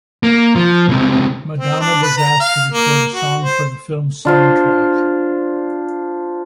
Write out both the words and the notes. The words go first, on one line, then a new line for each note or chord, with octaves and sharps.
Madonna was asked to record a song for the film's soundtrack.
A#3
F3
C#2 C3
C4
D4
B4
A#5
F5
A#3
F#4
C5
D4 F4 C5